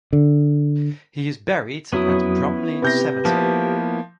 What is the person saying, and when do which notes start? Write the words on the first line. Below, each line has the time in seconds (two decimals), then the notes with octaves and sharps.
He is buried at Bromley Cemetery.
0.13 D3
1.92 F2 F#3 B3 C#4 E4 D#6
2.82 C3 G4 B4 G6 A#6
3.25 F3 A#3 B3 E4